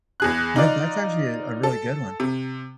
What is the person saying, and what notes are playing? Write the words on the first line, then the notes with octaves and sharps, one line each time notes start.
You know, that's actually, uh, a really good one.
E2 G#4 F#6
D#4 F4 D5
A4
C3